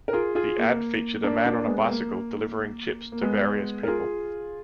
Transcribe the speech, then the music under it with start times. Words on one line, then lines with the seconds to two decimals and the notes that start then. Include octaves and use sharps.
The ad featured a man on a bicycle delivering chips to various people.
0.08 A#4
0.13 F4 G#4
0.35 F4 G#4
0.58 A#3
1.24 A#3 D4
1.46 A#3 D4
1.67 G#3 B3
1.89 A#3
3.12 A#3
3.21 G#3 B3
3.83 A#4
3.88 F4 G#4